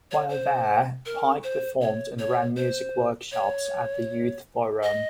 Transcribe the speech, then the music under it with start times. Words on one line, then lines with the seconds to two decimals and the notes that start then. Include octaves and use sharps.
While there, Pyke performed and ran music workshops at the youth forum.
0.11 C#5
0.29 C5
1.06 A#4
1.43 C5
1.82 C#5
2.19 C#5
2.57 C5
3.32 C#5
4.83 D#5